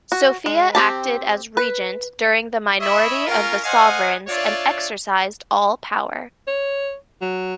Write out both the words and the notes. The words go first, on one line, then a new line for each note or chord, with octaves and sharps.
Sophia acted as regent during the minority of the sovereigns and exercised all power.
F#4
G#3
C4 G4 A5
B4
E4 C#5 D#5 E5 B5
C#4 F4 A#4
C5 D#5 F5 F#5 G#5
D4 F4 C#5 D5 E5
C#5
F#3